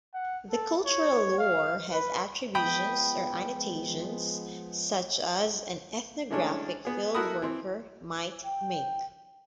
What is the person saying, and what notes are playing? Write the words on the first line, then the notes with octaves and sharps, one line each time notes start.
The cultural lore has attributions or annotations such as an ethnographic fieldworker might make.
F#5
A4
C#5
F5
B4
F3 G#3 B3 G5 B5 D#6
E3 G#3 A3 C#4 D4
B3 G#4
E4 F#4 A4 A#4 B5 D#6
E3 C4
G5